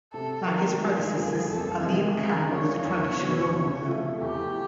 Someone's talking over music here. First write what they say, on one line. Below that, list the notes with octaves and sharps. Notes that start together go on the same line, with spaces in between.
Like his predecessors, Alim Khan was a traditional ruler.
C3 A4
D#3 F#3 A#4
G2 G#4
D3 F3 A#3
F2 A4
C3 D#3 G#3 G#4
C#3 G#4
F3 A#3 D4 F4 C#5
E2
B2 F#3 B3
C3
F3 A3
E2 G4